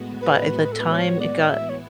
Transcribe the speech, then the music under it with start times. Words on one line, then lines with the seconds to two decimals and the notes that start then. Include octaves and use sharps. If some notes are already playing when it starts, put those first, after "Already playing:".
but at the time it got
Already playing: A2 G#3 B3 F#4
0.22 B4
0.65 B4
0.72 A4
0.80 B4
0.92 C#5
1.20 D5
1.48 E3 B3 E4 E5
1.69 C#5